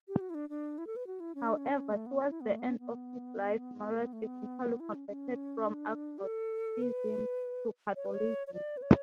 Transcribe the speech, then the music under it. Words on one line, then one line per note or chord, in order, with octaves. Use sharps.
However, towards the end of his life Maurras eventually converted from agnosticism to Catholicism.
G4
F#4
E4
D4
D4
E4
A4
B4
F#4
E4
C#4
D4
C#4
A3
B3
C#4
E4
B3
A3
B3
C#4
B3
A3
B3
A3
B3
E4
C#4
C#4
D4
G4
A4
B4
C#5
B4
C#5
C#5
D5
B4
C#5